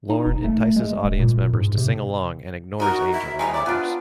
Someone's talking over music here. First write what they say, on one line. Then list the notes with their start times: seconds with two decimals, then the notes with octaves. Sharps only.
Lorne entices audience members to sing along and ignores Angel and the others.
0.10 D#4
0.26 F1
0.44 A3
0.76 G#3
1.04 D1
1.19 A#2
1.53 G#2
1.77 C3
2.80 D#4 F#4 A#4
3.12 E5
3.39 E3 G3 G#3 A#5
3.54 D5 E5
3.66 B3 D4 F4